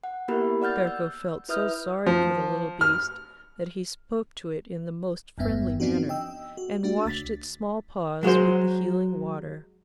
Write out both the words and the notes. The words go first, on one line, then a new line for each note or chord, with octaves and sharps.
Ferko felt so sorry for the little beast that he spoke to it in the most friendly manner, and washed its small paws with the healing water.
F#5
A#3 B3 E4 G4 A#4 B5
D5 F#5 F6 G6 A6
E6 G6
E4 B4 E5 D#6 F6 G6
F3
F6
G1 E2 G2 B3 E5
F3 B3 C4 D4 D#4 F#4
D#5 G5 E6
F#4
A3 D4 F#4
C#2 A6 B6
F#3 G#3 F#4 C5